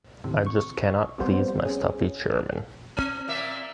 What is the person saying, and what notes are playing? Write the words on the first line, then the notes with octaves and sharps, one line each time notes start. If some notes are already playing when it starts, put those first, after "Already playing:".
I just cannot please my stuffy chairman.
D#2 A2 C3
C#6
C3 F3 G3 B3 C5
C#4 G#4
C4
A#2 A#3 E5